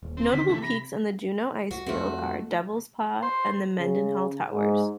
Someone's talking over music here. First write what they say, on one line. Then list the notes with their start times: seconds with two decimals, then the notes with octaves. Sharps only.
Notable peaks on the Juneau Icefield are Devils Paw and the Mendenhall Towers.
0.03 D#1
0.17 C4
0.32 D3 D#3 B6
0.49 C3 E3 A3
0.62 B5 A#6
1.71 C2 F#4
1.86 F2 A3 F#4
3.23 C5
3.79 C#3
4.51 G#2